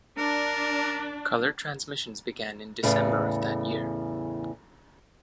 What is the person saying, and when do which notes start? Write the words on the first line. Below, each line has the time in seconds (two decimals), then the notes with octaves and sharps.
Color transmissions began in December of that year.
0.18 D4 A#4
2.83 E2 A2 C#3